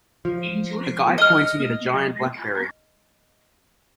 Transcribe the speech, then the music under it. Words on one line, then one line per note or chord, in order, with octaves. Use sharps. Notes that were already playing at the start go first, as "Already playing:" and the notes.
A guy pointing at a giant Blackberry.
F3
D#5 F6